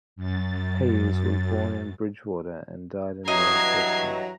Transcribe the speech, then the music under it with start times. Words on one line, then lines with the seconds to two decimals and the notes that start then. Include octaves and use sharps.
Hayes was born in Bridgewater, and died in Launceston.
0.16 F#2 A6
3.28 G2 E3 F#3 D#5 A#5 G#6 C7